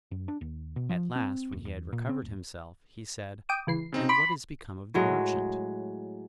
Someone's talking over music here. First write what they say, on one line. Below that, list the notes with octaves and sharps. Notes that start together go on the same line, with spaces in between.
At last, when he had recovered himself, he said, "And what is become of the merchant?"
F#2
D4
D#2
B2
F3
C4
D#1
E2
A#2
C4
D#1
G5 D6 D#6
C#2 E3 C7
C#3 C4 D#4
B5 C6 D6
A2 F#3 G#3